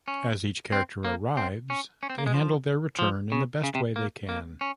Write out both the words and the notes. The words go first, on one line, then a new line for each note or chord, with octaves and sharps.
As each character arrives, they handle their return in the best way they can.
C#4
C4
A#3
C4
C#4
C#4
C4
A#3
G#3
F3
F3
C#3
C#3
C3
A#3
A#3
C#4